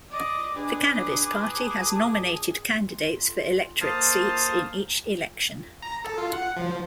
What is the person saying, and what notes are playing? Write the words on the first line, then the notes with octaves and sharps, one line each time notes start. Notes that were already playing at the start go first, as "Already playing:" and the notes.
The Cannabis Party has nominated candidates for electorate seats in each election.
D5 D#5 D6
D4 G#4 B4
A5
A#3 C5 F5 A5 D#6 F6
A#5
A4
F4
F#5
F3